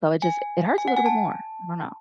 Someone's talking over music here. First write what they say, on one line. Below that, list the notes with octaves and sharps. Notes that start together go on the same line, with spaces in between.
So it just it hurts a little bit more. I don't know.
G#5
G#5
F#5
G#5
A5